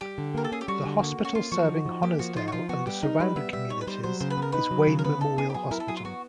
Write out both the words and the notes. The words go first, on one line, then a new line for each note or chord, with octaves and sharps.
The hospital serving Honesdale and the surrounding communities is Wayne Memorial Hospital.
G3 G4
D3
A#3 A#4
A4
C#4 G#4
G4
G3 F#4
D3
A#3
C#4
F#4
A#3 F4
F3 F#4
D#4
F3
A#3 G4
F3 F#4
D#4 F4
F#4
F3 F4
B3 F#4
G3 G4
D#4 A#4
G3 B4
B3 E5
G3 E5
D#4 C#5
B4
G3 C5
F#3 C5
C#3 C5
B4
B3 A#4
D#4 B4
F#3
C#3
A#4
B3 B4
D#4 A4
B3 G#4
G4
F#3 G#4
E4 A#4
A4
F#3 G#4
F4
B3 F#4